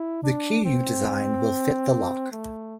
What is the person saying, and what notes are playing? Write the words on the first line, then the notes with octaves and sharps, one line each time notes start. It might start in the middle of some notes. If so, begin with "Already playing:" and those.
The key you designed will fit the lock.
Already playing: E4
D4
C4
A3